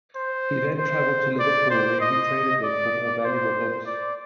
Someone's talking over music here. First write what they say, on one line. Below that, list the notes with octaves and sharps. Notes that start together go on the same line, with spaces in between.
He then traveled to Liverpool where he traded them for more valuable books.
C5
C5
D5
C5
D#5
D5
C5
D5